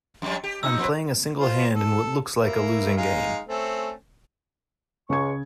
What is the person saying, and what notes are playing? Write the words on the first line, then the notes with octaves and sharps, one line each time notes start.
I'm playing a single hand in what looks like a losing game.
F2 G3 C#4
G4
A2 D#4 E6
F3 C4 B4
F4 C5
A4
A#3 E4
G#3 D#4 F5
A3 C4 C#4
C#2 C#3 C#6 G#6